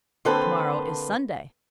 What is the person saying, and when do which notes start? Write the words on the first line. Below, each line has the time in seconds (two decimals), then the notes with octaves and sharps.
"To-morrow is Sunday."
0.25 D3 A#3 C4 A4 B4 C5